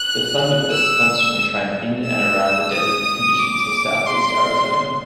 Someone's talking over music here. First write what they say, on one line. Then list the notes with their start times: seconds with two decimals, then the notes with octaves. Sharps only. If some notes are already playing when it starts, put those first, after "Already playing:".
The "Thunderbirds" constantly train in and around the desert conditions of southeast Arizona.
Already playing: F#6
0.71 E6
2.05 E6
2.72 D#6
3.39 D6
4.06 C6